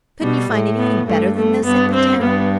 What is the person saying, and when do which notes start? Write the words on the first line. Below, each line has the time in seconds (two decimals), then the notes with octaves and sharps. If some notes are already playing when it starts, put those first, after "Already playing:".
Couldn't you find anything better than this in the town?
0.21 B2 G3
0.51 A2
0.78 B3
1.07 G2 A3
1.36 A3
1.65 G2 B3
1.93 C4
2.22 G2 B3